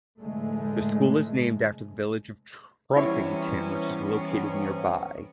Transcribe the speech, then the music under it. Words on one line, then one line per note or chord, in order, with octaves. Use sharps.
The school is named after the village of Trumpington which is located nearby.
F1 A2 D3 G#3 A3
C3 E3 G3 B3 C#4 E4 C#5